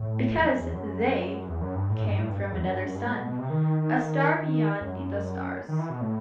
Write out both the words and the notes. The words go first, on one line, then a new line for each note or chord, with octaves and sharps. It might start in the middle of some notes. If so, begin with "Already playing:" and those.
Because "They" came from another sun, a star beyond the stars.
Already playing: A2
E2
F#2
E2
F#2
E2
F#2
G2
A2
G2
A2
G2
G2
E2
F#2
G2
F#2
G2
A2
B2
B2
C3
D#3
F#2
D#3
E3
B2
A2